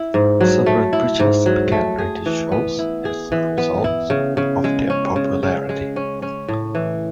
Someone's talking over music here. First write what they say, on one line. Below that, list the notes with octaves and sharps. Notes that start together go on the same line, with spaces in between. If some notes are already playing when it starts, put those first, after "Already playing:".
Several preachers began radio shows as a result of their popularity.
Already playing: E4
G#2
F#3
A3
E4
G#2
F#3
A3
G#4
E3
B3
E4
G#4
E3
B3
E4
C#3
C#3
G#3
C#4
C#3
C#3
G#3
C#4
C#4
A2
E3